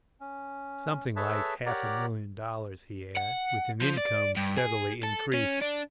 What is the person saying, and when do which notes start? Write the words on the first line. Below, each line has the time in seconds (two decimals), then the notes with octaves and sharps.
Something like half a million dollars he had, with an income steadily increasing.
0.21 C#4
1.16 G#4 A4 B4 C#5 E5 A5
1.66 G4 A#4 C#5 D5 F#5 A#5
3.17 F#5
3.82 F3
3.98 D5
4.37 G2
4.58 G#4
5.04 A4
5.34 C#4
5.61 D4